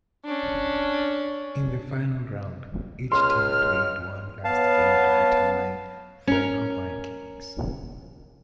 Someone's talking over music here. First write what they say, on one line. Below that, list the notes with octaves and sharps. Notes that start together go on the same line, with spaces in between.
In the final round, each team played one last game to determine final rankings.
C#4 D4
C#2 C6 F6
B3 C#5 F5 A5
C#4 A#4